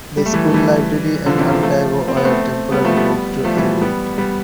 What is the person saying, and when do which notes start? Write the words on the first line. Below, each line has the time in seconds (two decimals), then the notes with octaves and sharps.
The school library and archive were temporarily moved to Aiud.
0.17 G3
0.26 A3
0.33 E3 G3
0.49 A3
0.54 E3 G3
1.26 D3 F3
1.38 C3 E3
1.51 D3 F3
1.63 F3 A3
2.08 C4
2.17 B3
2.25 A3 C4
2.72 G3 B3
2.84 F3 A3
2.97 G3 B3
3.44 F3 A3
3.57 E3 G3
3.81 G3 B3
4.18 G3 B3